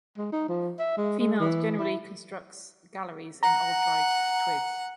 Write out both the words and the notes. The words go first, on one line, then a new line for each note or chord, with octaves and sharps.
Females generally constructs galleries in old dry twigs.
G#3
D#4
F3
E5
G#3
G#3
E3
E4
F#5 A#5